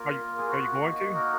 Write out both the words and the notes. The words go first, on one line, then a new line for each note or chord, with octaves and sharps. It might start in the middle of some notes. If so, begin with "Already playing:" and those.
Are you are you going to?
Already playing: A#3 F4 A#4
G#4
F#4
A#3 D#4 F#4
A#4